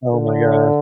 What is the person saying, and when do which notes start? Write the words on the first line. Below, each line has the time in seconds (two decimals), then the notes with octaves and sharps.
Oh my god.
0.13 D3